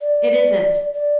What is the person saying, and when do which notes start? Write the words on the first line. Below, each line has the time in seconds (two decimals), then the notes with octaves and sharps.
It isn't....
0.01 D5
0.94 D5